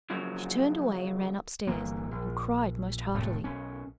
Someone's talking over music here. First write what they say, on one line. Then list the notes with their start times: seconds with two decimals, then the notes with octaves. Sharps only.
She turned away, and ran up-stairs, and cried most heartily.
0.10 F#2 C#3 F3 F#3
1.67 G1 E3 A#3
2.11 A#1
3.14 F1 A2 C3 A3
3.44 B1 C#4